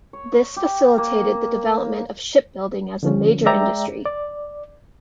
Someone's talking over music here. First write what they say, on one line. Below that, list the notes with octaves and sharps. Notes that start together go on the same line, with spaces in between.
This facilitated the development of shipbuilding as a major industry.
C#5
G4
A#3
D3 F3 C#4
G#3 D5 E5 G5 A#5
D5